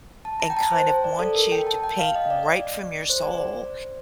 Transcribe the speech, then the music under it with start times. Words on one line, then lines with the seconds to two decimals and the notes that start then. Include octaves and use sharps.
and kind of wants you to paint right from your soul,
0.25 A5
0.40 A#5
0.50 G5
0.57 A5
0.72 C5
0.88 C5
1.04 D5
1.19 A4
1.35 A#4
1.52 G5
1.67 A5
1.83 G5
1.99 F5
2.16 D#5
2.30 D5
3.10 C5
3.23 D5
3.35 C5